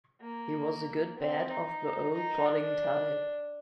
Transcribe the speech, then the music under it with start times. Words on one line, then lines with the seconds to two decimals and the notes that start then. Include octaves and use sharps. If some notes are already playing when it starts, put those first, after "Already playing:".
He was a good bat of the old plodding type.
0.21 A#3
1.18 C4
1.51 D#4
2.14 D#4
2.46 D4